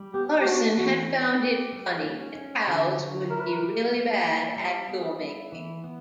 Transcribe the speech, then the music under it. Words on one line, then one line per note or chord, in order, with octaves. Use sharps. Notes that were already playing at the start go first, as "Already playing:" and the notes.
Larson had found it funny that cows would be really bad at toolmaking.
Already playing: G3
B3 G4
G4
D4 F#4
E3 F#4
B3
G4
G3
C#4
C#4
D3
F#3
E4 A#4
B4
A#4
G3
A#3
E4
G3
B3
E4
E3
B3